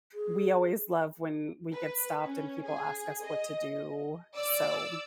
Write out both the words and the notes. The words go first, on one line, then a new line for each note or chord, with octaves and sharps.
we always love when we get stopped and people ask us what to do. So,
G#4
B4
C#4
G#4
D#5
D5 E6